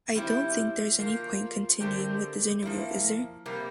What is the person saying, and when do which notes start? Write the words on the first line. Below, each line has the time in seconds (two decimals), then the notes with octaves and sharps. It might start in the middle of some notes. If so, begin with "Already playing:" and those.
I don't think there is any point continuing with this interview, is there?
0.15 G3 C4 E4
0.99 F3 A#3 F4
1.80 D3 A3 C4 G4 A#4
2.63 F3 A#3 E4
3.46 C3 G3 A#3